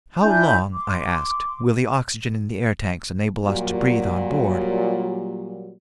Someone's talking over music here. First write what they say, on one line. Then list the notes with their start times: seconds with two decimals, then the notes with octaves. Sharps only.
"How long," I asked, "will the oxygen in the air tanks enable us to breathe on board?"
0.22 D4 E4 G#5 G6
0.74 C6 D6
3.44 A#2 F#3 G3